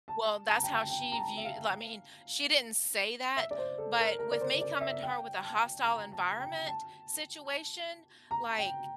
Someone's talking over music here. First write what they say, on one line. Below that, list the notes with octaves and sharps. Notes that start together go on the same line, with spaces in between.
Well, that's how she view li I mean, she didn't say that, but with me coming to her with a hostile environment situation, like
A5
A#5
A5
G5
A5
G5
A#5
A5
E5
F5
E5
D5
C5
A4
A#4
A#4
D5
C5
D5
E5
G5
A5
A#5
A5
G5
A5
A#5
G5